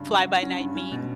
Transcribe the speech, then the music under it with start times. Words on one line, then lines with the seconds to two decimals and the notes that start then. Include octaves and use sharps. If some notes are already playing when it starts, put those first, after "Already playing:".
fly-by-night meme,
Already playing: G2 C#3 C#4
0.09 F#3
0.26 F#4
0.43 C#4
0.60 G2
0.75 C#4
0.92 B2